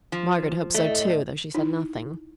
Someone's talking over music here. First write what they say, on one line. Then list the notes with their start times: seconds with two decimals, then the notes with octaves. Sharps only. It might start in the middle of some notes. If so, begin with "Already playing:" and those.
Margaret hoped so too, though she said nothing.
0.12 F3
0.74 A2 A3 D5 D#5
1.55 D#4 E4